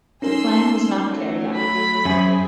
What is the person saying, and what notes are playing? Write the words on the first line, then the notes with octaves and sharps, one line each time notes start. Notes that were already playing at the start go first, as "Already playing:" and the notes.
The plan was not carried out.
C#4 D#4 G#4 A#4 C6 E6
F#3 A3
B5 B6
F#2 C4 G#4 E5 G#5